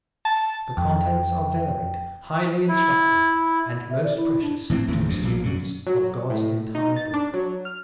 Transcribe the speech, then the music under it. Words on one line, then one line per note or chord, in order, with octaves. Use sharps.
The contents are varied, highly instructive, and most precious to the student of God's entire book.
A5
F2 G5
E4
E5
D5
E4
D4
A2 E3 C4
F#1 E2 A2 D#3
D2 G2 F3
A#1 A#2 A#3
F#2 D3
F#3
A2
D#4
A6
D4
F#3
F6